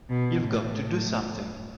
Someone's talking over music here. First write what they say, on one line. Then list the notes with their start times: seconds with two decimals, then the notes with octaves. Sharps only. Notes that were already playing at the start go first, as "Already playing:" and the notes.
You've got to do something!
0.09 B2
0.45 A2